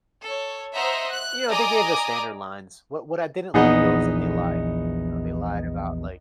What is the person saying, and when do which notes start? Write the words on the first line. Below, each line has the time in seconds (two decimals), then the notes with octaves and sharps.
You know, they gave the standard lines, what what I didn't like, though, is that they lied, you know? They lied about, like
0.22 A4 C#5
0.74 C5 D#5 E5 F#5 A#5
1.11 F#6
1.49 D5 D#5 G#5 A#5 D6 D#6
3.54 A#1 E2 B3 D#4 G#4 D#5